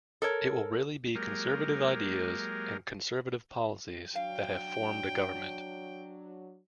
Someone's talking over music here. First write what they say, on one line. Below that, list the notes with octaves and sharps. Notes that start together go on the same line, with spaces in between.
It will really be Conservative ideas and Conservative policies that have formed a government.
A4 A#4 C#5
F#3 G#3 A#3 G4 A#4
F#3 D4 F5 G5